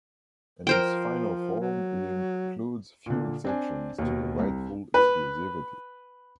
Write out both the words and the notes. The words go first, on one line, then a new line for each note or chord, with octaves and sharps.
In its final form, it includes few exceptions to the rightful exclusivity.
F3 A#4 C5 G5
F#3
A#2 D3
C4 D4 G#5
D#2 B2
C2
B4